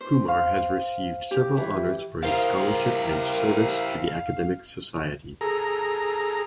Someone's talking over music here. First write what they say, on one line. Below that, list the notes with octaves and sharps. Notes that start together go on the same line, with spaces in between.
Kumar has received several honors for his scholarship and service to the academic society.
C5
F5
G4
E3
E4 G4 A#4 C5 F5
G#4 A4 A#5